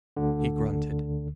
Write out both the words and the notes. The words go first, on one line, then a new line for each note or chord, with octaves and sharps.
He grunted.
D2 D3